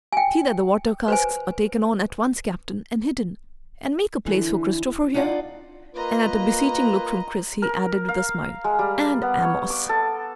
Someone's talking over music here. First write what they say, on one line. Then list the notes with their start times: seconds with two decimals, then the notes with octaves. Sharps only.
"See that the water casks are taken on at once, Captain, and hidden, and make a place for Christopher, here," and at a beseeching look from Chris he added with a smile, "and Amos."
0.13 G5 G#5
1.08 B4 C5 G#5
4.25 D3 E3
5.14 D4 D#4 F4 D5 F#5
5.95 A#3 F4 B4 D#5 A#5
7.62 A#4
8.08 F5
8.64 G#3
8.79 G3
9.22 B3
9.42 C#5
9.70 D6
9.89 A4